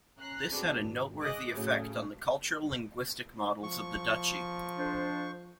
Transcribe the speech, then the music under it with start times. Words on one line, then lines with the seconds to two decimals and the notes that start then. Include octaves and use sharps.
This had a noteworthy effect on the cultural linguistic models of the Duchy.
0.18 C#4 A#5 F#6 C7
0.50 C4 D4 F#4 G#4 A4 B4
0.80 G#1
1.20 G#4 D#5 D6 F#6
1.54 A2 C#3 F#3 A3
3.63 F3 C#6
4.78 F2 D4 C5